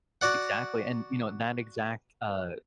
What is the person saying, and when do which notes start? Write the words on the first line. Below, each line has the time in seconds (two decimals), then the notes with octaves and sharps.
Exactly and, you know, that exact, uh,
0.21 F#4 D5 F#5